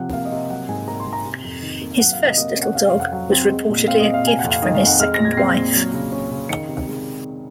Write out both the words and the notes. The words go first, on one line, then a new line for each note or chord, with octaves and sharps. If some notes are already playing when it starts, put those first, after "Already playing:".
His first little dog was reportedly a gift from his second wife.
Already playing: C3 F3 F#5
A#3 F5
D#5
C3
F#3 F#5
G#2 G#5
A#3 A#5
C6
G#2
A#5
C3
F2
D#3
A#3
F#3 F#5
F5
C3
D#5
A#3 D#5
C#4
F#5
C3 F5
F5
F2
F#5
F#3 F#5
C4
G#3
A#2
C4 F5
D#5
A#2
F5
C3 G#5
F2 F#5
F5
D#3 D#5
F5
F2
F#5
G#3 F6
A#2 A#6
G#6
C4 C7
A#2
F#3
C#3
C#4
C#3
D#3 C#7
C3
G#3